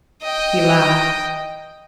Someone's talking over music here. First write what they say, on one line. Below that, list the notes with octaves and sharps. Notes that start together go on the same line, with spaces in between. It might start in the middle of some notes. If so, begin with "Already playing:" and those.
He laughed.
D#5 G5